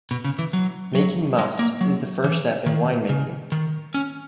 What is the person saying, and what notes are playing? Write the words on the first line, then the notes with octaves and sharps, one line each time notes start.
Making must is the first step in winemaking.
B2
C#3
E3
F#3
F#3
G#3
A#3
F#3
E3
D#3
C#3
D#3
C#4